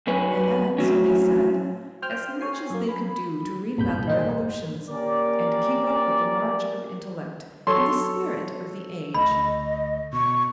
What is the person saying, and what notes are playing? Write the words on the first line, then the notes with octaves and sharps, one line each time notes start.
They had, so they said, as much as they could do to read about the revolutions, and keep up with the march of intellect and the spirit of the age.
F#2 C#4 B4 G#5
A2 F#3 C#4
C5 G5 F6
C#5 G#5 C7
F#2 A#3
B5
F1 C2 G2 A#2 B5 G6
D#3 D#4 C5
A#3 C#4 G4 A#4 D5
F#3 A4 C#5 C6
D2 D#5 B5
B2 C#6